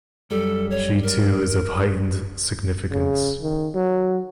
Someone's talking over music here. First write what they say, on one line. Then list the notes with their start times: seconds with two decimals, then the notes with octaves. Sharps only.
She too is of heightened significance.
0.31 F#2 G3 A4
0.71 C#5
1.03 A#4
2.91 C#3
3.42 D#3
3.74 F#3